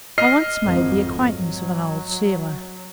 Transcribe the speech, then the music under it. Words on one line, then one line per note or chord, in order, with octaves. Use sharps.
I once made the acquaintance of an old sealer.
D#5 F6 C7
G#1 F2
F#3